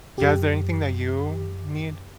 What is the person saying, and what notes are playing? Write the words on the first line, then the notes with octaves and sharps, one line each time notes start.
yeah is there anything that you need
F#2 G4